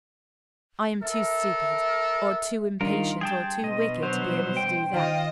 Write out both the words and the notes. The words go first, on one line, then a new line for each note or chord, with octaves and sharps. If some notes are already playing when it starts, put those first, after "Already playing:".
I am too stupid, or too impatient, or too wicked to be able to do that.
A4 A#4 E5
D#3 G3 D4 F4 A#4 C6
G#4 G5 A5
B2 D#5
F#3 C5
G5
D#3 F4 C5 D#5